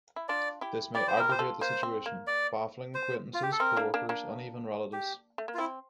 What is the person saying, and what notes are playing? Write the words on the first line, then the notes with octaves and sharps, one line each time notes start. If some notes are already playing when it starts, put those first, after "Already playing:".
This may aggravate the situation, baffling acquaintances, coworkers, and even relatives.
E4
D4 F4 D5
E4 G4
E4 G4 D5
C5
E4 G4 A#4
G4 C5
F4 A4
A#3 C5
C4
A#3
D5
C5
F4
G4
A4
C4 A#4
A#3 D4
A#3 D4
A#3 D4
G4
A3
A#3
F4
C4 E4